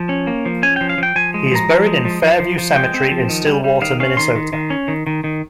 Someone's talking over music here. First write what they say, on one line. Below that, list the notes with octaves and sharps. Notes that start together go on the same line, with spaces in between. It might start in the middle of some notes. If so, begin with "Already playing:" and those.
He is buried in Fairview Cemetery in Stillwater, Minnesota.
Already playing: F3
C#4
A#3
F3
C#4 G#5
F3 G5
F5
F3 G5
F3 G#5
G#3
F3 A#5
F3
G#3
F3
F3
F3
F3
G#3 G5
C4
F3
D#3
G3
G3
D#3 F5
C#4 F5
D#3 C6
D#3
D#3
C#4
D#3
D#3
D#3